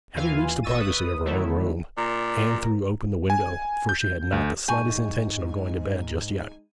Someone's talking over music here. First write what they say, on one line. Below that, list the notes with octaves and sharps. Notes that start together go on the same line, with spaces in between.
Having reached the privacy of her own room, Anne threw open the window, for she had not the slightest intention of going to bed just yet.
D#2 E3 F4 F5 G#5
A1 D#5 C#6 E6 A6 D#7
B4 D#6
D3 D#3 F#3 A3 E4
A#2 A#4 D5
G#5
G6
D2
G#2 G#3 D#4 G#5 C#6 G6